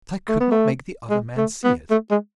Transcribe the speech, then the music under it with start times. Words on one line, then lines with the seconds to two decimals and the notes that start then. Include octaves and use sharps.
But I could not make the other man see it.
0.29 A3
0.41 B3
0.52 A3
1.10 G#3
1.37 A3
1.64 B3
1.91 A3
2.11 G#3